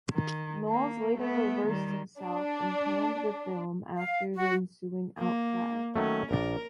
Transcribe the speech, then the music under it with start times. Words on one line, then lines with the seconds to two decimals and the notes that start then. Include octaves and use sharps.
Knowles later reversed himself and panned the film after the ensuing outcry.
0.12 D#3
0.69 A#3
1.20 A3 B3
1.67 D#3 G3
2.19 D4
3.97 F5
4.34 F#4
5.19 A#3
5.96 D#3 F#3 A3 C#4
6.31 A#1 A#4 D5